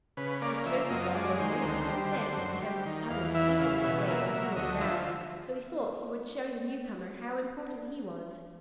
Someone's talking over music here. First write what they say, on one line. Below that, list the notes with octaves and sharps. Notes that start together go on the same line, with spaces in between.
The Turkey Gobbler never could stand it to have others speak in that way when he was around, so he thought he would show the newcomer how important he was.
C#3 B4
A#3 D5
F3 E5
F#2 D#5
G#3 D5
D#3 C5
D2
G3
D3
F#2
G3
D#3
E2 F5
E3 E5
C#3 F5
B2 E5
A#3 E5
F#3 E5
D2 D#5
F3 E5